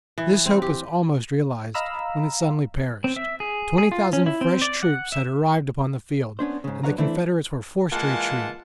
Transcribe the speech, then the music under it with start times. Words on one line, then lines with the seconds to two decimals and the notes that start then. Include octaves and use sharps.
This hope was almost realized, when it suddenly perished: twenty thousand fresh troops had arrived upon the field, and the Confederates were forced to retreat.
0.18 E3
0.46 C4
0.62 G4
1.74 D#5 F5 A#5 B5 E6
3.04 C4
3.16 E5
3.40 G#4
3.78 G#4
3.92 F4
4.13 C#4
4.26 E4
4.41 C4
4.62 D5
4.83 F#5
5.12 E5
6.39 B3 C#4 D4 C5
6.64 G#2 C#3
6.83 F#2 D4 B4 C#5 F5 A#5
6.98 E3 A3 C4 D4 E4
7.92 E3 G#3 A#3 F4 F#5 A5